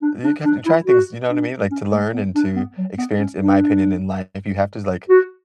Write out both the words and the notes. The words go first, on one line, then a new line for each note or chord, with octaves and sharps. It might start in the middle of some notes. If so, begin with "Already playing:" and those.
you can you try things, you know what I mean? Like, to learn, and to experience in my opinion in life, if you have to, like,
D4
D4
D4
E4
F#4
D4
C#4
A3
B3
D4
B3
F#3
B3
C#4
D4
F#4